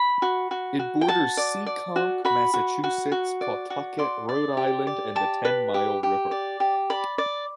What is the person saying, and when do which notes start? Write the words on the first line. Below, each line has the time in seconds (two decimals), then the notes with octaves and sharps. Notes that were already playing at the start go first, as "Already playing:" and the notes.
It borders Seekonk, Massachusetts, Pawtucket, Rhode Island and the Ten Mile River.
Already playing: B5
0.22 F#4
0.51 F#4
0.79 F#4
1.01 G5
1.08 F#4 A5
1.37 D5
1.66 D5
1.96 F#4
2.25 F#4 B5
2.54 F#4
2.84 F#4
3.12 F#4
3.41 D5
3.70 F#4
3.99 D5 C6
4.29 D5
4.57 G4
4.87 D5
5.15 G4 A5
5.45 B4
5.74 G4
6.03 G4
6.31 D5
6.60 G4
6.90 D5 B5
7.18 D5